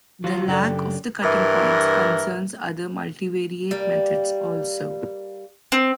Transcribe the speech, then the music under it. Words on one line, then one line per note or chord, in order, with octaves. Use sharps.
The lack of the cutting points concerns other multivariate methods, also.
F3 F4 F#4
F#2 C#3 D4 G4 A4 D5
G2 E3 A#4
G3 A#3
C4